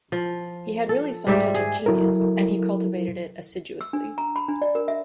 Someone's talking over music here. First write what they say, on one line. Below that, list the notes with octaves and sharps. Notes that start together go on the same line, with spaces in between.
He had really some touch of genius, and he cultivated it assiduously.
F3
A4
G#2 G3 G4 E5
G#4
F#3 E4 A4 A#4
E6
D4
A#5
B5
D4
D5
A#4
E5